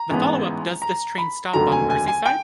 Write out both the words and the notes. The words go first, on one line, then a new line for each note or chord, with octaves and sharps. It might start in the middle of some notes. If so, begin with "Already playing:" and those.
The follow-up Does This Train Stop on Merseyside?
Already playing: A#5
A1 G#2 E3 G#3 B3
A#5
B5
F1 D#2 D3 F#3 A3 A#5
G#5
G#5
G#5
G5